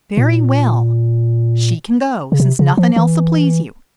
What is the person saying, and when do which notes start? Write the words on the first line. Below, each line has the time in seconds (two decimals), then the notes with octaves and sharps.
"Very well, she can go, since nothing else'll please you."
0.17 A#2
2.32 C#3
2.40 C3
2.59 C#3
2.77 F3
2.96 E3